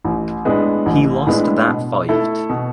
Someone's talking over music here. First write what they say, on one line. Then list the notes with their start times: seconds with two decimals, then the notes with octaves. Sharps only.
He lost that fight.
0.04 A1
0.45 A2 G#3 B3 D4
0.86 A1
1.27 A2 G#3 B3 D4
1.68 B2
2.09 A3 E4 A4
2.50 B2